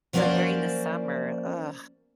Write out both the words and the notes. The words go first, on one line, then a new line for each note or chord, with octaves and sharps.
but during the summer, ugh,
F3 F#3 A#3 C#4 C5 D5